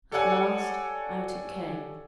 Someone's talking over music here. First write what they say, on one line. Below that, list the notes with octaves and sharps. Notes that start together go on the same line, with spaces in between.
At last out it came.
G4 A4 C#5 D5 F#5 G#5